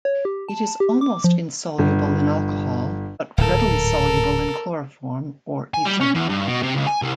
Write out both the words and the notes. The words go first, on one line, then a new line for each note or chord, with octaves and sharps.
It is almost insoluble in alcohol but readily soluble in chloroform or ether.
C#5
G4
A5
G4
D6
F3
G1
D1 G#2 A4 A#4
G#5
G3
C#4
E2
G2
B2
C3
C#2
G#5
C2